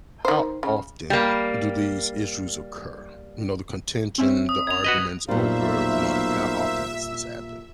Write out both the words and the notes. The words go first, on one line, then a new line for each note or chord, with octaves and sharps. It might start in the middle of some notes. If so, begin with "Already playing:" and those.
how often do these issues occur? You know, the contention, the arguments over money, how often does this happen?
D#3 C5
C#3
G3 A#3
C4 C#4 E5
D#6
G#6 F7
F#4 B4 D#5
B1 A#2 G3 A#3 C5 E5 F5